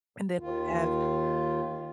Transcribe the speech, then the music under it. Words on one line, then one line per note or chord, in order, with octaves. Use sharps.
And then we have,
D#2 D#3 F4